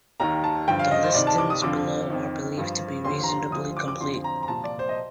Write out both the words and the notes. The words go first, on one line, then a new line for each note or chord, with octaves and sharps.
The listings below are believed to be reasonably complete.
D#2 D#3 A#5
A5
G2 D3 F3 G5
F5
D#5
C5
C2 C3 D#3 D5
A5
D6
D#6
F2 D3 F3 D6
F2 D#3
G2 F3
D#2 D3 F3 C6
A#5
C6
D2 D3 F3 D#6
D6
D6
F2 D3 F3 C6
A#5
A#5
C2 A#2 F3 A5
D5
C5
D#5